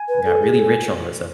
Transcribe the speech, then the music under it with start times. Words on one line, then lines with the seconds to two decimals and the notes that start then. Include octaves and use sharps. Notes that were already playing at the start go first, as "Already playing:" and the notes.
and got really rich all of a sudden.
Already playing: G#5
0.09 B4
0.26 A4
0.42 G#4
0.53 G#4
0.59 A4